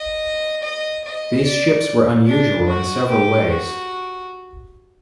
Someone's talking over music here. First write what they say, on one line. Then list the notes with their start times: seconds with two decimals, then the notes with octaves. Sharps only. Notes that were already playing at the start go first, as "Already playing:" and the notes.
These ships were unusual in several ways.
Already playing: D#5
0.63 D#5
1.04 D#5
1.45 D5
2.27 D4
2.68 F#4
3.09 G4
3.49 F#4